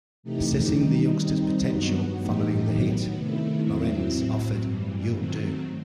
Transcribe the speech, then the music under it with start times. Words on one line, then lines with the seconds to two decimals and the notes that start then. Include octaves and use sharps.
Assessing the youngster's potential following the hit, Morenz offered, "you'll do".
0.23 C3 E3 A3 D#4 G4
0.71 D#3 G3 D#4
1.21 D#3 G3 C4 D#4
1.70 G2 F#3 B3 F#4
2.19 A2 E3 A3 D#4 G4
2.67 D#3 F#3 B3
3.17 C3 D#3 A3 E4
3.66 E2 C3 F#3 C4 E4
4.14 A2 F#3 C4
4.63 G2 E3 G3
5.13 D#3 F#3 A3 C4